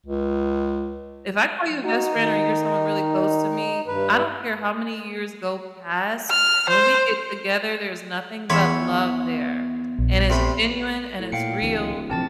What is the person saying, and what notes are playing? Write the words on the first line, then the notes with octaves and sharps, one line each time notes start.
If I call you a best friend, or you're someone really close to me, I don't care how many years go past. When we get together, there's nothing but love there, and it's genuine and it's real,
C#2
D#4 F#4
D#3
G2 B4
F6
C5
E2 C#5 E5 B5 C6
A#1
C3 A3 B5
A2
A#2 F5 G5 C#7
D1 C#2 E3
A1 C3 F3 C4 A5 A6